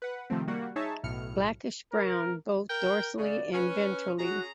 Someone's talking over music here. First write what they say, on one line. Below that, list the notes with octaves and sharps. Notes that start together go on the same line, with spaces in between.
Blackish brown, both dorsally and ventrally.
B4 F#5
C3 D#3 F3 A3 C4
G3 A#3 F#4 F#5
D#4 G#4 C#5 E5 A5
B1 A2 F6 C#7
A#4
A#4 G5
C#3 D5
C#4 B4
C#4 F#4 G#4 A#5